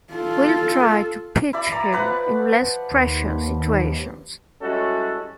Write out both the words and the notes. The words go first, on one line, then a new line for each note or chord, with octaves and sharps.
We'll try to pitch him in less pressure situations.
F4 A4
E4 D5 B5
D5 A#5
F3 B4 F#5
D#2
G3 G#3 C#4 E4 F#4 A4